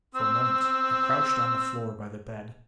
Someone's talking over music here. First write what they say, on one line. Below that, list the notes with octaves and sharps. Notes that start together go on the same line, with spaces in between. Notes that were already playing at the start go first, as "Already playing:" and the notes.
For a moment I crouched on the floor by the bed.
C4 E6